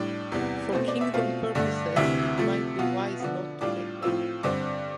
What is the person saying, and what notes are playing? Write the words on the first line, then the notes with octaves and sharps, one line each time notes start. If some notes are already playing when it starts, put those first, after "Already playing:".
For kingdom purposes, it might be wise not to get married.
Already playing: A2 G3 D4
E2 C3 E3 G3 B3
B2 A3 C4 C5
D5
E5
B2 A3 C4 F4 F5
G2 D3 A3
D2 C3 E3 E5
C3 F3 A3
B2 B3 F4
D3 F3 B3
A2 G3 D4 F4 D6
A2 F3 C4 F4 E6
G2 D3 G3 C4 D6